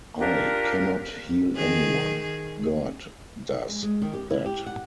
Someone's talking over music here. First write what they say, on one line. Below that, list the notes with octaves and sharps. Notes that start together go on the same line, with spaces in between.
I cannot heal anyone - God does that.
D4 F4 G4 A#4
D#3 G#4
G#3
G#3
D#3
G4
E4
G4
F#5